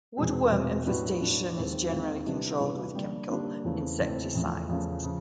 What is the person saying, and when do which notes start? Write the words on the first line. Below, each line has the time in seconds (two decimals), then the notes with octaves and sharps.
Woodworm infestation is generally controlled with chemical insecticides.
0.17 E2 B2 G#3 C4
0.52 E2 B2 G#3 C4
0.86 A2 F#3 B3 D4 F#4
1.21 A2 F#3 B3 D4 F#4
1.56 D#2 D#3 G#3 C4 F4
1.90 D#2 D#3 G#3 C4 F4
2.26 C3 E3 G3 B3 D4
2.60 C3 E3 G3 B3 D4
2.95 D3 G3 A#3 D4 G4
3.30 D3 G3 A#3 D4 G4
3.65 E2 C#3 E3 A3 C4
4.00 E2 C#3 E3 A3 C4
4.35 E2 C#3 F3 A3
4.69 E2 C#3 F3 A3
5.04 C#3 F3